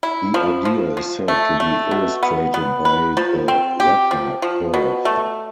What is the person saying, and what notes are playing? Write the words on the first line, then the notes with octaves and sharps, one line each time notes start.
The idea is said to be illustrated by the Laffer curve.
E4
F3
F3
F3
A3
A3
B2
B3
B3
B4
F3
C4
G4
F3
F3
B2
A3